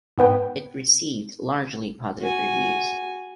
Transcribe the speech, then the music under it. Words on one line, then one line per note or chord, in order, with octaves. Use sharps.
It received largely positive reviews.
G#2 B3 B4 G5
F#4 G#5